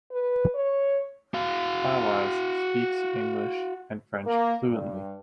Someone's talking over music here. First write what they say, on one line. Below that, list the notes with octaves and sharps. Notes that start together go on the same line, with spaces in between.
Fawaz speaks English and French fluently.
B4
C#5
F#4 F5
A#3
G2